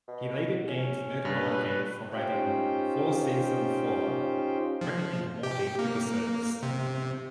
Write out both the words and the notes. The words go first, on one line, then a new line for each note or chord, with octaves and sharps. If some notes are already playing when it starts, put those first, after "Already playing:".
He later gained notability for writing four season four "Rick and Morty" episodes.
B2
C#4
G2 B4
C#4 D#4 F4 G4 C5 G5
F3
G4
A#3
C3